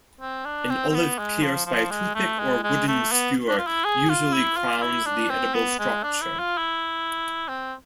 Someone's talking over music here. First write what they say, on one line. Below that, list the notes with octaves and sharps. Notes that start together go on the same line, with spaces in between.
An olive pierced by a toothpick or wooden skewer usually crowns the edible structure.
C4
D4
C4
C4
B3
G#3
F3
F3
G#3
A3
G#3
G#3
A3
B3
D4
F4
E4
G#4
F4
E4
F4
E4
D4
C4
B3
G#3
D4
E4
F4
E4
C4